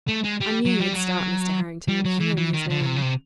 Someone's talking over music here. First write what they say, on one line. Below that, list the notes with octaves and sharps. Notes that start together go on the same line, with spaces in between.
I knew you would start, Mr. Harrington, at hearing his name.
A3
G#3
G3
F#3
G3
F#3
G3
F#3
E3
E3
D#3
D3
C#3
C3
C#3
C3